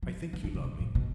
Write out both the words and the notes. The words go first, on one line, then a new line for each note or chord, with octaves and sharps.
I think you love me.
F3
E3
D#3
C3
B2
A#2
B2